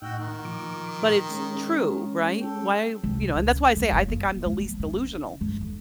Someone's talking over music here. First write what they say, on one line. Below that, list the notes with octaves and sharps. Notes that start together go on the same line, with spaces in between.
"But it's true, right?" Why you know, and that's why I say I think I'm the least delusional,
A2 D#4 F#4 F#5 G5 E6
D#3
A#2 F3 D6
G#3 C#4
A4 G5
C2
C#2
D#2
F#1
A#3
D1
F3
C#3
G2
F1